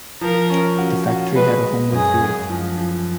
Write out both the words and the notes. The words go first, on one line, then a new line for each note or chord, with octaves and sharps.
The factory had a homely feel.
F3 A#4
C#4
F#4
F#4
G#3 B4
G#3
F#2 G#4
F#2
F3
F3